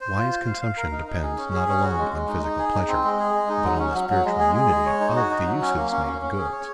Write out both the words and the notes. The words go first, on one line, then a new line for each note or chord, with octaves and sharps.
Wise consumption depends not alone on physical pleasures, but on the spiritual unity of the uses made of goods.
C5
F4
C5
F5
F5
A#4
D#4
D#4
G#4
C#4
G#4
C#4
F#4
G#3
G#3
D#4
D#4
G#4
D#4
C4
G#3
G#4
G#3
D#4
F#3
C#4
F#3
F#3
G#3
G#4
G#4
G#3
C#5
D#4
F#4
D#4
F#3
C#4
A#3
C#4
C#4
C#4
G#4
C#5